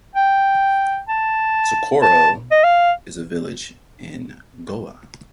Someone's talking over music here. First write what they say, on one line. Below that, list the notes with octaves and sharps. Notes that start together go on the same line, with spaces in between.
Soccoro is a village in Goa.
G5
A5
A5
D#5
F5